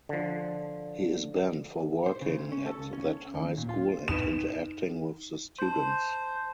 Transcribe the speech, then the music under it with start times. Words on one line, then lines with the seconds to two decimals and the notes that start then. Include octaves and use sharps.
He is banned for working at that high school and interacting with the students.
0.09 D3 F3
2.06 C5
2.22 C#3
2.52 C#4
2.66 A4
2.79 C#2
2.93 C#4
3.34 D#2
3.57 A#2
3.69 F4
4.08 D#4 B4 E7
5.59 C5 A5 C6